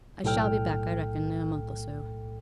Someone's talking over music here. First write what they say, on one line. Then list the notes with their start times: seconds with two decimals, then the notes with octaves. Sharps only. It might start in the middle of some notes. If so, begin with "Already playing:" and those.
I shall be back, I reckon, in a month or so.'
0.24 B1 A2 A4 G5 F6